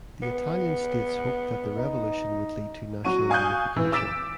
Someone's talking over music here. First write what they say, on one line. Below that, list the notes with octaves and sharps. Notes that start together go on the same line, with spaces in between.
The Italian states hoped that the revolution would lead to national unification.
B3
D#4
F#3 F#4 C#6 D#7
F5 G#5 C#6 D#6 F#6 G6
E3
D6 E6 A6 B6 D7 E7